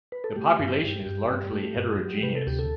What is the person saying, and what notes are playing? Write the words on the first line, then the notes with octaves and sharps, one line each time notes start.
The population is largely heterogeneous.
B4
A4
A3 G4
G2
G2
G2
G2
A3
G2
F#3
C3 B4
A4
D2 G4
A4